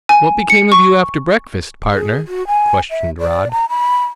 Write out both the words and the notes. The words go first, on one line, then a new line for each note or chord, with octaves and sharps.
"What became of you after breakfast, partner?" questioned Rod.
G#5
C#7
C#6
G#4
F#4
G#5
E5
D5
A#5
B5